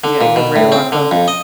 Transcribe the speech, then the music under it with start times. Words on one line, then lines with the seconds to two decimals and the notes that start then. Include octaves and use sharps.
Yeah, you're very welcome.
0.04 D3
0.21 A#2
0.36 B2
0.56 A2
0.72 C4
0.92 D3
1.11 F2
1.28 D#5